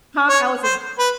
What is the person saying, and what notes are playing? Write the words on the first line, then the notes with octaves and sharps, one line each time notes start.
Tom Ellis is h
C#5
C5
B4